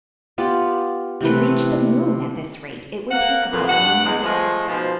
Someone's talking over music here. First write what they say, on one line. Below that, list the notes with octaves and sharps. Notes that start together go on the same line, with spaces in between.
To reach the moon at this rate it would take about one second.
B3 F4 G4 D5
C3 E3 A3 B4
A#3 F#5
F2 A#2 A#3 B3
G2 F#5
E2 G#3
F3 G#3 A3 C4
G#2 B2 F3